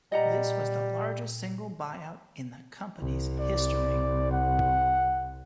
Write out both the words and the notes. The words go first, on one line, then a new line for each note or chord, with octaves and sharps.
This was the largest single buy-out in the company's history.
A#2 G3 D#5 F#5 A#5
C2
D5
F#5